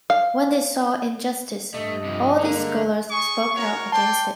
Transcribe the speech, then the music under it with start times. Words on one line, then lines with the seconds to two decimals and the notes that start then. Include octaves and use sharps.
When they saw injustice, all these scholars spoke out against it.
0.10 F5
1.74 G2 A3 D#5
2.04 C3 F3
2.39 D3 G#3 A#3 A#5
3.11 G#4 C#6
3.55 F#4 A#4 C#5
3.92 D5 G5 A5 C6